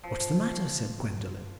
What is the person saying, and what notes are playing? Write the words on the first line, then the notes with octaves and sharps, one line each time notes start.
"What's the matter?" said Gwendolen.
F3